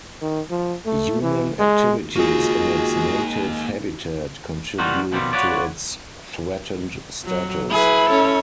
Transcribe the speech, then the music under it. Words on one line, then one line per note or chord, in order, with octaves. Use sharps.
Human activities in its native habitat contribute to its threatened status.
D#3
F3
A3
E3
G#3
G#3 A#3 D#4 F4 F#4 G#4
E3 G3 A#3 D#4 F4 F#4
B2 D#3 F3 G3 A#3 C4
F4 F#4 B4 C#5 D5
F#3
E4 G#4 B4
C#4 A4 C#5